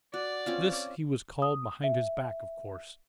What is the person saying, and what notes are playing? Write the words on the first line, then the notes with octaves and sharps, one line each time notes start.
This he was called behind his back, of course.
F#4 D5
C4 C#4 F4
D#6
E5